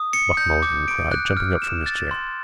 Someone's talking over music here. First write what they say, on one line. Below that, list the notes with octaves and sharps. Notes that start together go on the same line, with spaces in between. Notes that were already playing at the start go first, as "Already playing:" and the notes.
Buck Mulligan cried, jumping up from his chair.
Already playing: D#6
C#7
G6
D6
D7
F#6
F6
E7
A6
C6